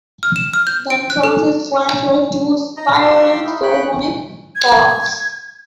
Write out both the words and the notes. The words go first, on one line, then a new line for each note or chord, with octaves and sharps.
The entrance is flanked by two spiraling Solomonic columns.
F6
E7
F6
G6
D7
F#6
A4
D#4 D#5 A#5
G4 F5 C6 C#6 E6
C#6 D6
D#4 E4
C#5 G5 B5 C#6 F#6
G#6